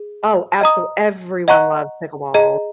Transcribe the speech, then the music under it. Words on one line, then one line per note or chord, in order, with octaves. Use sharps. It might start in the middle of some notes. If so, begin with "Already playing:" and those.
Oh, absolu everyone loves pickleball.
Already playing: G#4
D#5 A#5 D#6
D#5 F#5 A#5 C#6 F#6
G#4 D#5 A#5